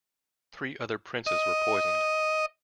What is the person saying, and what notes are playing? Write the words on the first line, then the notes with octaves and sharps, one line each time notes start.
Three other princes were poisoned.
D#5